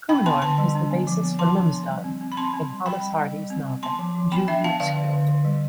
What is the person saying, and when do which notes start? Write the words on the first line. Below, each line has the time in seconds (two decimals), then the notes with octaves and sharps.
Cumnor is the basis for Lumsdon in Thomas Hardy's novel "Jude the Obscure".
0.09 D4 G5 B5
0.26 B3 A5 C6
0.42 D3 A5 C6
0.58 G3
0.75 D4
0.91 B3
1.07 F3
1.23 B3
1.39 F3 A5 C6
1.56 D4
1.72 B3
1.88 G3
2.04 C4
2.21 C4
2.32 B5
2.37 C4 A5 C6
2.53 C4
2.70 G3
2.86 G3 G5 B5
3.01 G3
3.18 G3
3.34 G3
3.50 C4
3.66 C4
3.83 B3 A5 C6
3.99 F3
4.15 F3
4.32 B3 G5 B5
4.48 D4 E5 G5
4.64 B3 F5 A5
4.80 D3 D5 F5
4.96 D3
5.13 D3
5.29 D3
5.45 G3